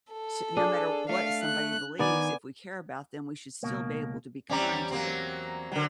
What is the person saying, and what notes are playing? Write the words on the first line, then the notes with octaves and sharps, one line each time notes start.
t no matter what somebody believes, if we care about them, we should still be able to be kind to them.
A4
D4 G#4
A3 F5
F#6
D#3 B3 D5 G#5
C#2 B2 A#3
E2 G3 C4 C#4 D5 A#5
F#3 A#3 C4
D3 F#3 G3 A#4